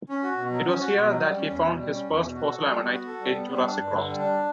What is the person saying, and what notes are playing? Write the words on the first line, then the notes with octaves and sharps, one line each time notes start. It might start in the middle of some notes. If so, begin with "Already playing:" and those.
It was here that he found his first fossil ammonite, in Jurassic rocks.
C#4
F#4
B2
F#3
C#4
F#4
B2
F#3
G3
C#4
E2
B2
G3
C#4
E2
B2
F#4
A4
G3
B3
F#4
A4
G3
B3
G3
D4
G2
D3
G3
D4